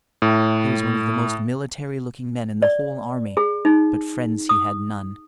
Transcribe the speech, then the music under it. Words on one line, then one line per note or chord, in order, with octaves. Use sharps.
He was one of the most military-looking men in the whole army, but friends he had none.
A2
D5
G#4
D#4
D#6